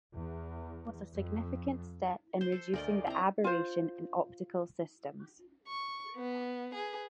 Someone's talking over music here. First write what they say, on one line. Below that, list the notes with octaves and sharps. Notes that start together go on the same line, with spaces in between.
This was a significant step in reducing the aberration in optical systems.
E2
F2
C5
A4
D2 A#4 D5 D#5
C4 E4 A#5
F4 C5
C#6
B3
G#4 B4